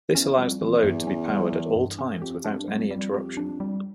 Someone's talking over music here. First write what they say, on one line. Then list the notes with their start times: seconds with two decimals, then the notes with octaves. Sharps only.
This allows the load to be powered at all times without any interruption.
0.15 E2 C#4
0.38 F2 G3
0.61 F2 E3
0.84 E2 G2
1.07 C#4
1.30 G3
1.53 E3
1.76 G2
1.99 C#4
2.22 F2 G4
2.44 F2 D4
2.59 G2
2.68 F2 G3
2.91 G3
3.14 G4
3.37 D4
3.60 G3